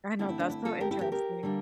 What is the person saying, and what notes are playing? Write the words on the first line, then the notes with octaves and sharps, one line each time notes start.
I know, that's so interesting.
D3 A3 C4 E4
E4
D4
E4
F4 A4
G4 A#4
E4 G4
G4 A#4
G4 A#4
D3 G3 A#3 D4